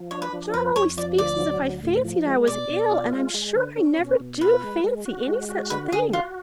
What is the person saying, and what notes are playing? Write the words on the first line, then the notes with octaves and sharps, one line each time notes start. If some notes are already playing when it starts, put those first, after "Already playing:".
'John always speaks as if I fancied I was ill, and I am sure I never do fancy any such thing.
Already playing: F3
D4 C#5
B4
F3
F2 B4
F2 C#5
F3 D5
D2 D5
F#3
D2
A2
F3
G#3
B2 D5
B2
F4
G#3
G#3
D3
C#4
B2
B2
F4 B4
G#3
G#3
F#4
G#3
F#4
D3 B4
D3 G#4
F4 F#4